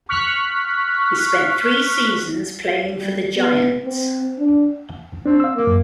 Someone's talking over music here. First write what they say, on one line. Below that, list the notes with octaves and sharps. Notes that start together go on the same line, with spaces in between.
He spent three seasons playing for the Giants.
C#6 F6 F#6 B6
G3
B3
C4
D4
C4 D4
F5 E6
A#3
F#2